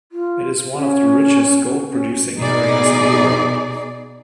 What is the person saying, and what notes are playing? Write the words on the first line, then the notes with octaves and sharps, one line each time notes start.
It is one of the richest gold-producing areas in the world.
F4
C#4
C#4
B2 D#4 G#4 D5